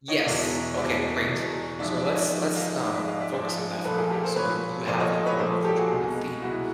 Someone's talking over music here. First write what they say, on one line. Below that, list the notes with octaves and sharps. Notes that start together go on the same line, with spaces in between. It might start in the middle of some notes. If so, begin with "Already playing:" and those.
Yes. Okay, great. So, let's let's, um, focus on that for right now. So, you you have a goal of returning to theater,
C#5 D#5
E2 B2 G#3 D5 E5
E2 B2 G#3 D5 E5
E2 B2 G#3
G#2 F3 G#3 D5 E5
D5 E5
C#5 D#5
G#2 F3 G#3 D5 E5
D#5 F5
G#2 F3 G#3 D5 E5
D5 E5
D#5 F5
D5 E5
G#2 F3 G#3 C5 D5
A#2 F3 A3 A4 B4
G#4 A#4
G4 A4
A#4 C5
A#2 F3 A3 B4 C#5
A#2 F3 A3 C5 D5
C#5 D#5
C#5 D#5
B4 C#5
A#2 F3 A3 A#4 C5
G4 A4
F#4 G#4
C2 B2 G#3
C2 B2 G#3 E4 F#4